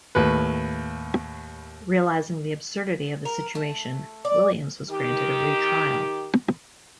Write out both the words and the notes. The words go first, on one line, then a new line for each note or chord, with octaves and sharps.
Realising the absurdity of the situation, Williams was granted a retrial.
D#2 A2 B4
A#4
A3
D5
D#3 G4